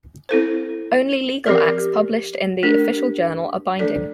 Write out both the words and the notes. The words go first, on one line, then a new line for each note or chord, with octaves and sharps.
Only legal acts published in the Official Journal are binding.
C4 E4 A4 C5
F3 C4 G4 A#4 D5
A3 D4 G4 A#4
F3 A3 D4 A4 D5